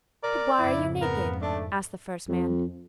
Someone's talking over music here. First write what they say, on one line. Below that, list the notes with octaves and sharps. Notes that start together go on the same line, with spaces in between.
'But why are you naked?' asked the first man.
A#4 D5
F2 G#2 C#3 E4
B3 A#4
A3 D4
F2